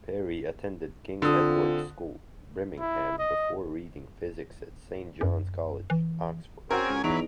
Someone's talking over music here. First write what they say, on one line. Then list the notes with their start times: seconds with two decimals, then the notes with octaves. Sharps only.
Perry attended King Edward's School, Birmingham before reading physics at Saint John's College, Oxford.
1.22 D3 C4 D4 F4 D#6
2.80 E4
3.19 D#5
5.21 F#2
5.90 E3
6.71 C4 C#4 F#4 G#4 A#4 G#5
6.89 C#2
7.04 E2 E3 F#3 D#4 B4 D7 F7